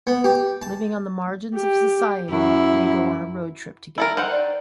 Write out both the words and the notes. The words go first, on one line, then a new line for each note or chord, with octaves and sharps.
Living on the margins of society, they go on a road trip together.
B3
G4
A5
G4
F#2 E4
E4 A4 A#4
D#3 C5 F#5
D5